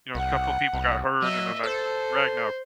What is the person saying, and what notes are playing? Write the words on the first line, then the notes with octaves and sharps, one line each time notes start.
you know, a couple of people got hurt, and then that Ragnar,
C2 F#5
C2
F#3 D#5 E5
A4 C5